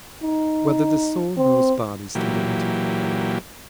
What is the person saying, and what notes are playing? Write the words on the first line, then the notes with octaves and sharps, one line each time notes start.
Whether the Soul Knows Bodies Through the Intellect?
D#4
C4
A#2 E3 F#3 G4